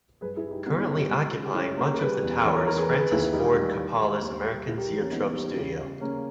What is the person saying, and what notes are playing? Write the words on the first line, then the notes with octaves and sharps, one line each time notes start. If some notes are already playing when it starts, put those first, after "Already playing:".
Currently occupying much of the tower is Francis Ford Coppola's American Zoetrope studio.
G2 G#4 B4
E4 G#4
G3
D#4 G4
G2 B3 D#4
C#4 E4
G3
D#4 G4
C#2
C#3
G4
G3 C#4 E4
C#3 A#3 C#4
A#4
G3 G#4 B4
E2
E3 A#4 C#5
A#4 C#5
E3 A#4 C#5
G#4 B4
D#3 G#4 B4
G#4 B4
D#2 E4 G#4
E4 G#4
G3 D#4 G4
G3
D#3
G3
D#2
G3
G3 E4 G#4
G4 A#4
E3
A#3 C#4
G3 B3 D#4
G3
C#3
C#3
C#3 A#3 C#4